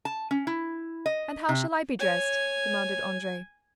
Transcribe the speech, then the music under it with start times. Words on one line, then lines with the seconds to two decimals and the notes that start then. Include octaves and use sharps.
"And how shall I be dressed?" demanded Andrea.
0.05 A5
0.31 C#4
0.47 E4
1.06 D#5
1.49 C3
2.00 C#5 G#5